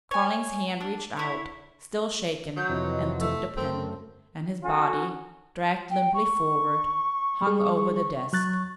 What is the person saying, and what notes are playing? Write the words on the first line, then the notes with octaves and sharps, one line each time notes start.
Carling's hand reached out, still shaking, and took the pen; and his body, dragged limply forward, hung over the desk.
C#5 G#5
D4
E4 C#5
F#3 G6
F2 C3 E3 B4 D#5 F#5
A3
F#2 A3 C4 A#4
C#4 F#4 A4
G5
C#6
G3 G#4
F#3 F#6 A6